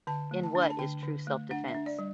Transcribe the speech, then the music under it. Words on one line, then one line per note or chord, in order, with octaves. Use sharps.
In What is True Self Defense?
D3 A5
A3
A5
D4
B5
A5
D3 G5
D3
A3
D4 F#5
E5
D4
D5
G3